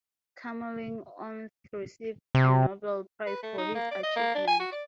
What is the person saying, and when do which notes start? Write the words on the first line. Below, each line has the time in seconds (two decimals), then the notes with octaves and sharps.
Kamerlingh Onnes received a Nobel Prize for his achievement.
2.35 C3
3.27 B4
3.43 A3
3.58 D#4
3.75 A#3
3.91 D5
4.03 D#5
4.16 A#3
4.35 D4
4.47 G#5
4.60 F#4
4.72 D5